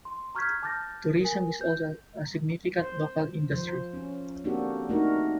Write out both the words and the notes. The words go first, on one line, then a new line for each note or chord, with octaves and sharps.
Tourism is also a significant local industry.
C6
A#5 C#6 F6 G6 G#6 B6
A5 D6 F6 G6 A6 A#6
A#4 G#5
G6
C5
F3 C5
C#4
A#3 C4 D4 F#4 G4 A4
A3 A#3 D4 D#4 F#4 A#4